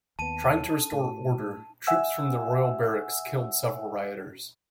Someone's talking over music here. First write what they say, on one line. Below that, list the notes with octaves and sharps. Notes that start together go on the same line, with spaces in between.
Trying to restore order, troops from the Royal Barracks killed several rioters.
D#2 B3 A5 D#7
A2
E5 F#5 G#5 E6